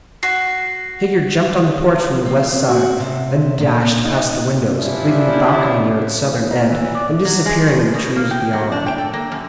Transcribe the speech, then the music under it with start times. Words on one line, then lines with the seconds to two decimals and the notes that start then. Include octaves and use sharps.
A figure jumped on the porch from the west side and dashed past the windows, leaving the balcony near its southern end, and disappearing in the trees beyond.
0.23 F#4 C7
2.26 C4
2.69 F#4
3.00 C3
3.60 A#2
4.05 D#4
4.75 F3 G3 C#4 D4 E4 F4
6.50 A#3
6.71 E3
6.95 D5
7.25 F#3
7.46 G#3
7.68 A2
7.94 B2
8.16 A#3
8.31 G5
8.53 F#3
8.72 D4
8.86 G5
8.98 A4
9.13 A#3
9.32 F#2